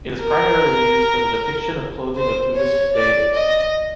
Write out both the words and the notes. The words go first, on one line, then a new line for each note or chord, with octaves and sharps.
It is primarily used for the depiction of clothing of Buddhist deities.
A#4
C5
C#5
D5
D#5